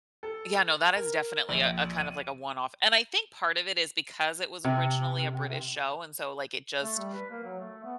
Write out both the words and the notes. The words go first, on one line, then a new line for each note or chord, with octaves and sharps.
Yeah, no, that is definitely a a kind of like a one off, and I think part of it is because it was originally a British show, and so, like, it just
A4
A#4
A#1
D#7
C3
A3
G3
B4
A#3
F#3
A3
B3